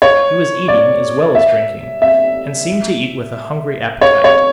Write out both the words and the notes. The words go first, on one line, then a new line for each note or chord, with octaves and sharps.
He was eating as well as drinking, and seemed to eat with a hungry appetite.
C#5
D5
E5
E5
C#5
C#5